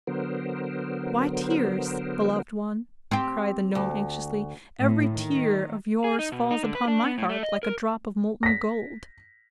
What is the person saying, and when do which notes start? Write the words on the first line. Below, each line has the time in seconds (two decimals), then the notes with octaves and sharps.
'Why tears, beloved one?' cried the gnome anxiously; 'every tear of yours falls upon my heart like a drop of molten gold.
0.07 D3 F#3 B3 A#4 C5
3.11 C4 G4
3.75 D2
4.79 A2
5.14 D#3
6.04 G#4
6.19 D#4
6.32 B2
6.51 D#4
6.63 D3
6.75 B4
6.88 D4
7.04 B3
7.18 A2
7.29 A3
7.43 D#5
7.63 A#4
8.43 A#6 B6